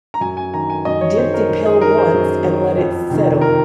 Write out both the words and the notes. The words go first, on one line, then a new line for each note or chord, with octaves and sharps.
Dip the pail once and let it settle.
A#5
F#2 G#5
G#5
D#3 A#5
G#5
F#2 D#5
C#5
D#3 C5
A#4
F#2
G#4
D#3 A#4
C5
F#2
D#3
F2
C3 D#3
A#4